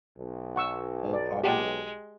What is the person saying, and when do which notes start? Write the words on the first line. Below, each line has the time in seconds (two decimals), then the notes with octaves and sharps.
of hobbies.
0.18 B1
0.56 F#5 C#6 E6
1.13 D5
1.43 G#3 G4 F#5 A5